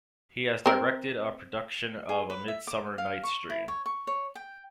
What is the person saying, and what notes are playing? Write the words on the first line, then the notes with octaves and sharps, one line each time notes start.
He has directed a production of "A Midsummer Night's Dream".
C4 A#4
G#4
B4
E5
D6
F5
C#6
E4
C#5
C#6
C#5
G5